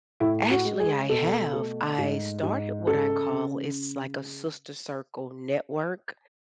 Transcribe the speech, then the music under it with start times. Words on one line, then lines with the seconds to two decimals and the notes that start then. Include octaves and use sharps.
Actually, I have. I started what I call it's like a sister circle network,
0.20 A2 E4
0.50 F#4
0.65 G#3
0.80 G#4
1.09 B2 A4
1.53 A3
1.98 G#2
2.43 G#2
2.87 C#3 A4
3.32 C#3